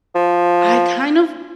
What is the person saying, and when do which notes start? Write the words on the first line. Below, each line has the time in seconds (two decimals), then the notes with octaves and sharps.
I kind of
0.15 F3